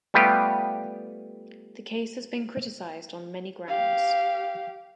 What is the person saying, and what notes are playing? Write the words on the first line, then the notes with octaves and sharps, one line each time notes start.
The case has been criticized on many grounds.
G3 A3 B3 F4 G4 B4
G4 F5